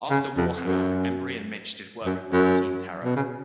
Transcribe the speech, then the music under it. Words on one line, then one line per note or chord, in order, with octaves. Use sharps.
After Warhammer, Embury and Mitch did work as Unseen Terror.
C#3
F2
F#2
F#2
F#2
B2
C#3